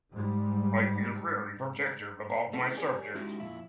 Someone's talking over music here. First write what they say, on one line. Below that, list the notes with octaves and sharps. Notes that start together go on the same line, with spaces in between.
I feel very protective about my subjects.
G#2 G3
A3 C4 C#4 E4 G#4
G4 G#4 A#4 C#5 D5 G#5
G#3 C#4 D#4 E4 F#4 G4
F2 A#2 E4